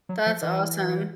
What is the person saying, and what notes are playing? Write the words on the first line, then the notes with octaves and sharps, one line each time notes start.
That's awesome.
F#3
F3
E3